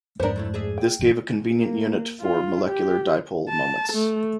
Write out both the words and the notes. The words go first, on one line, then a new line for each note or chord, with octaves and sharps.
This gave a convenient unit for molecular dipole moments.
F2 G#2 B3 D4 A#4 C5
F#2 A3 E4
G#4 D5 E5
G5
A#1 G2 E3
A#3
F4
G4
A5
A3